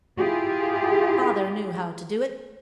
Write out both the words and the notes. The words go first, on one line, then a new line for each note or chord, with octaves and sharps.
"Father knew how to do it."
E4 F4 G4 G#4